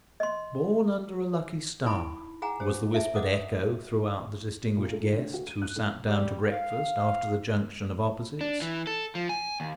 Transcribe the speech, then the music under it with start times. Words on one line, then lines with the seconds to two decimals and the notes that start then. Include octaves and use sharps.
"Born under a lucky star," was the whispered echo throughout the distinguished guests who sat down to breakfast after the junction of opposites.
0.20 D#5 C6
1.86 D#4 E4 A5 B5
2.42 G#4 F#5 G#5 A#5
2.60 G4 G#4 C5
2.94 E5 A5
3.15 D#5 F#5 D6 D#6
4.77 A#2
4.92 A3
5.12 D2
5.34 F#4
5.47 D#7
5.62 F#6
5.76 A2
6.07 G3
6.51 F5
8.41 D4
8.62 E3
8.87 A4
9.15 F3
9.29 G#5
9.60 D#2